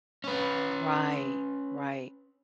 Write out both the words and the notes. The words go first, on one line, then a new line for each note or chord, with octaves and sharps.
Right, right,
C#4 B4